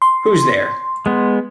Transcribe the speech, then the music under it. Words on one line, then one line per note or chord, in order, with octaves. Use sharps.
Who’s there?
C6
G#3 B3